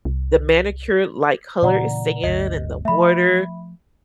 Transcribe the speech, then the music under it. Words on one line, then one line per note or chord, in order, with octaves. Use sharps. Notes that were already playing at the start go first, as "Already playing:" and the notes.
the manicure-like color sand and the water,
C2
A#2 C#3 E3 D5 F#5 A#5
D1 G1 D2 D#5
F3 A3 E5 B5